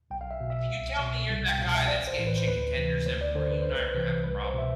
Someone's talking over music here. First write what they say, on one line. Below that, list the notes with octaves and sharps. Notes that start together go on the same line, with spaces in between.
If you tell me you're that guy that's getting chicken tenders everywhere, you and I are gonna have a problem.
B1 G5
F5
E5
B2
E5
C2
B2
C2
G5
B2 F5
E5
A1 D5
C5
A2 E3
B4
C5
D2 B4
C3 E3
D2 C5
D5
D3 C5
B4
C2 C5
B4
C3 E3
C2 B4
C5
B2 E5